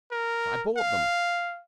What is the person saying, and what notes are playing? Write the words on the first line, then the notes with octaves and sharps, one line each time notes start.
So I bought them.
A#4
F5